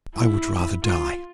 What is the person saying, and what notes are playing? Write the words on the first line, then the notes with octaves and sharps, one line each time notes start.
I would rather die.'
E4
F4